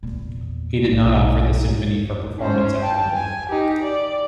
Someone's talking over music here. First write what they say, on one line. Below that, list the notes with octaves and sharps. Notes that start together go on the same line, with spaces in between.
He did not offer the symphony for performance at London.
E2 A#2
B1
C#4 C5
G5 A5
G#5
D#4 G4
D5